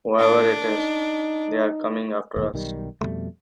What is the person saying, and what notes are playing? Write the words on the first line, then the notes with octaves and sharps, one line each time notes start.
Whoever it is, they are coming after us.
A2 D4
D#4
F1 A2 E3 A#3
B1 D#3 G3
F2 B2 G3 A3